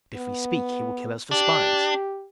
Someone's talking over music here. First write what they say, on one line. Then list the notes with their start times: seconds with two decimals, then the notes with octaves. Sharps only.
But if we speak, he will kill us for spies.
0.16 B3
1.31 D4 G4